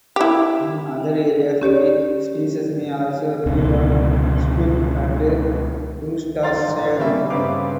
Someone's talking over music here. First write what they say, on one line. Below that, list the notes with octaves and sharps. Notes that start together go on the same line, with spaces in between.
In other areas, the species may also feed on squid and crustaceans.
E4 G4
C#4 G4 C#5 D5
C#2 B2 D3
C5 F5 A#5 C6 A6
A1
G3 A#3 C#4 D#4 E5
G2 C#3 C4 B4 F5 D6